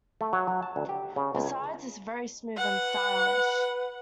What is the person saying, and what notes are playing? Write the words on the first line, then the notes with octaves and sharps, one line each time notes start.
Besides, it's very smooth and stylish.
A3
F#3
F#3
A5
D2
G4
C#3
C#2
B4 F#5